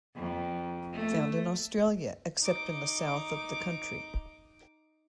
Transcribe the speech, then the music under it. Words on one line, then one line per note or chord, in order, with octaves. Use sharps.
Found in Australia except in the south of the country.
F2
A3
D#4 D6